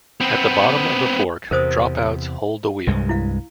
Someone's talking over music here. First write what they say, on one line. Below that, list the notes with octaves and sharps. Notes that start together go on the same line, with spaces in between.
At the bottom of the fork, "dropouts" hold the wheel.
B3 C4
E2 C3 A#4 C5 D#6
C2 G2 G#3
E4 F5